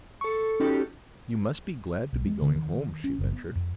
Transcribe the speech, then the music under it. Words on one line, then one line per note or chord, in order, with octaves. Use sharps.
"You must be glad to be going home," she ventured.
A4 C#6
C#4 D#4 F#4 G4 A4
B1
G#3
D3
D#3
C#4
F#1
B3
F2